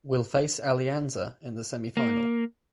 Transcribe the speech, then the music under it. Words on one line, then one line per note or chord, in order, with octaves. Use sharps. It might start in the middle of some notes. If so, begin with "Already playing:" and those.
Will face Alianza in the semifinal.
A#3